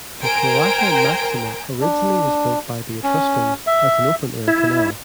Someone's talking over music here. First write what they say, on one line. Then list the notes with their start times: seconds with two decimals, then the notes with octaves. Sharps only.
The Cloaca Maxima originally was built by the Etruscans as an open-air canal.
0.21 A#4 C5 G5 G#5 A#5 D7
1.81 D4
3.03 C#4
3.67 E5
4.48 E4